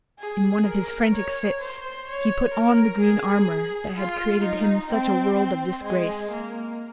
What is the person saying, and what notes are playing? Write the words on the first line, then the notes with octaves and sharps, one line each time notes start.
In one of his frantick Fits, he put on the green Armour, that had created him such a World of Disgrace.
G#4
A#4
C#5
C5
C#5
A#4
G#4
F4
D#4
C4
C4
G#3
A#3